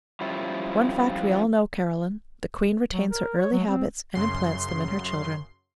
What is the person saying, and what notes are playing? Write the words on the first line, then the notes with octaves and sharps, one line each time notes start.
One fact we all know, Caroline: the Queen retains her early habits, and implants them in her children.
F3 G3 C#4 E4 F4
F#3
A#4
C#5
F#3
C4
F#2 C#3 C6